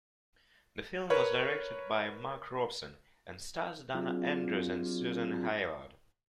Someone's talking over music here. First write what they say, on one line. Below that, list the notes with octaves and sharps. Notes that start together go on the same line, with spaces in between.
The film was directed by Mark Robson and stars Dana Andrews and Susan Hayward.
A#4 B4 C#5
F#3 C4 D4 F4 G#4